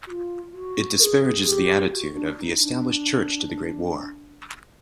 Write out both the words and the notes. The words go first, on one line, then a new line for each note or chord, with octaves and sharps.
It disparages the attitude of the established church to the Great War.
F#4
F4
F#4
A#4
G#4
G#4
G4
F#4
D4
D#4
D4